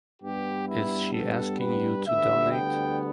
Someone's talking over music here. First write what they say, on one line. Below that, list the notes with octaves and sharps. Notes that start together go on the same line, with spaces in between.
Is she asking you to donate?
G2 G3 B3 G4
E4
A4
B4
D2 D3 G3 B3 E5
G5